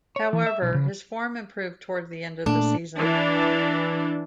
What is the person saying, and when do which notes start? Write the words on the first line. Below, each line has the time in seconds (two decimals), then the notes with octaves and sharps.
However, his form improved toward the end of the season.
0.16 C#5
0.33 E3
0.46 E5
0.62 B1
0.74 C#3
2.46 A#2 A3 D4
2.99 E3 D4